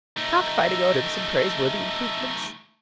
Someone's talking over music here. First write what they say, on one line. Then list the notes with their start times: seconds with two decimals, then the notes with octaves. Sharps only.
Cockfighting owed him some praiseworthy improvements.
0.17 A3 D#4